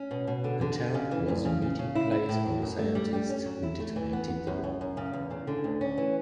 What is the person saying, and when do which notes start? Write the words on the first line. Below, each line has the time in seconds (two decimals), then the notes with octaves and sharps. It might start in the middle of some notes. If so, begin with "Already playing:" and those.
The town was the meeting place for the scientists who detonated the bomb.
Already playing: C#4
0.11 B2
0.27 B2
0.44 D3
0.61 D3
0.78 D3
0.94 C#3
1.11 E3
1.28 D2
1.45 C#3
1.62 C#3
1.79 C#3
1.95 E4
2.12 E4
2.29 A2
2.46 F#3
2.62 F#2
2.78 A3
2.95 G3
3.13 G3
3.29 C#4
3.46 F#3
3.63 E4
3.80 A3
3.96 E3
4.13 B3
4.30 B3
4.47 F#2
4.64 F#2
4.81 F#2
4.97 C#3
5.13 E2
5.31 C#3
5.47 D3
5.64 D2
5.81 C#4
5.98 E3